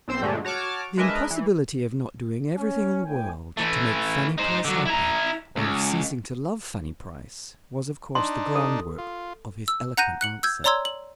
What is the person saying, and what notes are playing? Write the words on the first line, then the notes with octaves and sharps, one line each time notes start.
The impossibility of not doing everything in the world to make Fanny Price happy, or of ceasing to love Fanny Price, was of course the groundwork of his eloquent answer.
B1 C4 C5 E6 G6
G2 A#2 D3 G#3 A3
F#4 C#5 A5 D6 F6
G#3 D4 A#4 B4 D#5 E5
E3
C#4
A2 G5 G#5
E3 A3
D#4 C5
D3 F#3
E4 A#5
C#2
D4 D#4 C6
A4
F4
E6
F#5 A#5 F#6 G6 A#6 D#7
F#6 C#7 F#7
E6 G6 G#6
C#5 D5 A#5 C6 E6 G#6
F#7